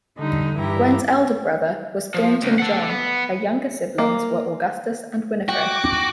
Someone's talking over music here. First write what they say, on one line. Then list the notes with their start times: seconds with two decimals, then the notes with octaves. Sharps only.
Gwen's elder brother was Thornton John; her younger siblings were Augustus and Winifred.
0.17 D3 G3 D#4
0.56 G2 E3 E4 G4 A#5
2.14 F3
2.43 C#2
2.59 A4 F#5
2.90 B3
3.98 A#3
5.49 F#4 G5 D6